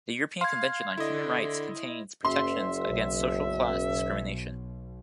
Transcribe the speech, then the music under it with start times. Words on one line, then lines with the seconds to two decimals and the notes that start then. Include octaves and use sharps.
The European Convention on Human Rights contains protections against social class discrimination.
0.41 F5 C6 G#6
0.98 D3 E4 D#5
2.25 F#1 F#2 E5 C6
2.86 B1 B2